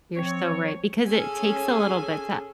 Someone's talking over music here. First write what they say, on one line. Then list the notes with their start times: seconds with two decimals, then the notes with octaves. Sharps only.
You're so right, because it takes a little bit to
0.16 F3 C4 C#5
1.07 C#4 G#4 A4 G#5